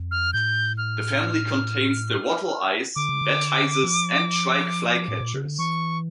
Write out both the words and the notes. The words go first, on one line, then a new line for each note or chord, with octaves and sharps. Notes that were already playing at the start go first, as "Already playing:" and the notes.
The family contains the wattle-eyes, batises and shrike-flycatchers.
Already playing: F2
F6
A2 G6
F6
D3 D6
C#3
D3
F3
A2
A#2
C#3
D3
E3 C#6